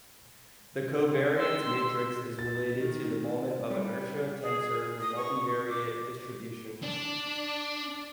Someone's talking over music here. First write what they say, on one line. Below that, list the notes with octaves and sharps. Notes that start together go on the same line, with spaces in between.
The covariance matrix is related to the moment of inertia tensor for multivariate distributions.
C6 E6
A6
D#3
G3
G#4
D#6
C#6
D6
D4